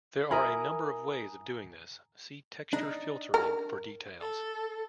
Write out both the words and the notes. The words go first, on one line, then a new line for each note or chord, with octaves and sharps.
There are a number of ways of doing this; see "texture filtering" for details.
E4 A#4 G#5 A#5 B5 D#6
D4 D#4
A#4
A4